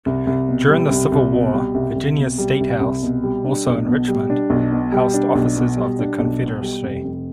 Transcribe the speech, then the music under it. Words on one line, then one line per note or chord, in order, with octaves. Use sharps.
During the Civil War, Virginia's statehouse, also in Richmond, housed offices of the Confederacy.
C2
C2
B2
G3
C2
C2
B2
G3
C2
C2
B2
G3
C2
C2
B2
G3
D4
B1
B2
G3
D4
B1
B2
G3
D4
B1
B2
G3
D4
B1
B2
G3
F1
F1